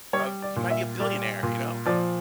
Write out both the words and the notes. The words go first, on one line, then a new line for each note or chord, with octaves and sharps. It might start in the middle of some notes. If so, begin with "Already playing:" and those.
uh, you might be a billionaire, you know?
G3 C#5
D5
A#2
E5
G3 D5
A#2
F3 D5